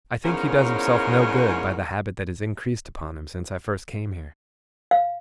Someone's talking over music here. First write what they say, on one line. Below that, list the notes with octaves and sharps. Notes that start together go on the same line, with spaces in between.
'I think he does himself no good by the habit that has increased upon him since I first came here.
E2 G#2 C#3 C#4 A#4
F5